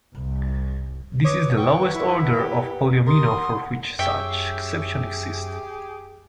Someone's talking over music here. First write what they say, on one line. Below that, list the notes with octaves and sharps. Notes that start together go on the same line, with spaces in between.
This is the lowest order of polyomino for which such exceptions exist.
C2
B4 C#5 D6 D#6
F#5 G5 C#6
E4
G4
G4 A#4 C6 D#6
F#5
F#2 G4 G#4 C#5 E5 G5